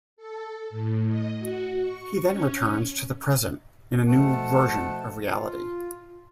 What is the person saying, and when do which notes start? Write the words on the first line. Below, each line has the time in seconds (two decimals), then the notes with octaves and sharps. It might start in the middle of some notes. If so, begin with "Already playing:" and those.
He then returns to the present in a new version of reality.
0.17 A4
0.70 A2
1.07 D#5
1.38 F#4
1.79 C#6
2.24 C#4
4.07 B2 F3 A3 A4 F#5 A5
5.27 F4